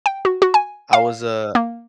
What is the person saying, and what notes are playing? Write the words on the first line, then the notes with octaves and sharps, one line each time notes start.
I was, uh
G5
F#4
F#4
G#5
F5
A#3